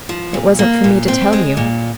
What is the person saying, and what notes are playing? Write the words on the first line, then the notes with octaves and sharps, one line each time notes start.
"It wasn't for me to tell you."
F3
A#2
A#3
A#2
C4
G#3
A#2